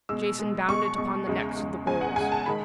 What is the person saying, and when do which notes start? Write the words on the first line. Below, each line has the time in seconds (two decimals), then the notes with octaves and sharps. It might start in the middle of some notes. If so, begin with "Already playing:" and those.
Jason bound it upon the necks of the bulls.
0.09 B2 G#3 E6
0.39 B2 G#3
0.68 B2 G#3 C#6
0.98 B2 G#3
1.27 E2 C#3 G#3
1.57 E2 C#3 G#3
1.87 E2 C#3 G#3 G#5
2.01 F#5
2.16 E2 C#3 G#3 G#5
2.32 A5
2.46 D#3 G#3 B5